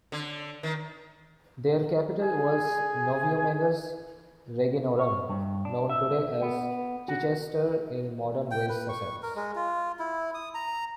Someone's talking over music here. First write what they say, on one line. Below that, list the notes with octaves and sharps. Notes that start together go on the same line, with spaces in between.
Their capital was "Noviomagus Reginorum", known today as Chichester in modern West Sussex.
D3
D#3
G#4 G#5
C#5
G2
D4
E5
B3
F#4
G5
B4
C#6
A#4
G#3
F4
E4
D#6
A#5